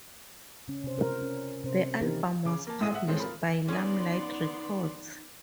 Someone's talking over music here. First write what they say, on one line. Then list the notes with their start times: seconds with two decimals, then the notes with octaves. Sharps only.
The album was published by Limelight Records.
0.68 C#3 C#4
0.84 C3 C5
0.98 F4 A#4 C5
1.22 C#4
1.64 C3 C#4 C5
2.01 D#3 E3 D#4 E4 G4 A#4
2.45 C#3 D6
2.67 A#3 A5
2.80 G#1 A2 G#3 E5 D#6 D#7
2.94 E5 F#5
3.07 A2 F3 G#3 A3 C4 C#4
3.20 F4 A#4 B5
3.68 B3 C#4 D#4 G#4 D5 C6